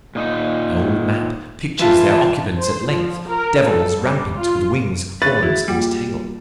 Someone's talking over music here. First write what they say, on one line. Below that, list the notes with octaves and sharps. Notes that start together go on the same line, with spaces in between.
An old map pictures their occupants at length,--devils rampant, with wings, horns, and tail.
A#2 D#4
E3 F4 E5 A5
C5
F3
A#4
A4
G3
F4
D#2 B4 C#6 F#6 A6
E4 F#4 G#4
G3 A#3 F4 F#5